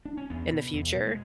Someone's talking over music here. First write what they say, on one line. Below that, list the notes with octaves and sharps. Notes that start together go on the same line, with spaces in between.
in the future,
D4
C#4
E2 B3
B2
E2
B2
G#3